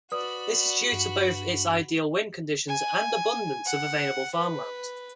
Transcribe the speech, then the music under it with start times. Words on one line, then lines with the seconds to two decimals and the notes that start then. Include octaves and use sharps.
This is due to both its ideal wind conditions and abundance of available farmland.
0.12 F#4 B4 D5 B5 D#6
0.92 G2
2.68 G#5
3.66 F#5
4.36 B4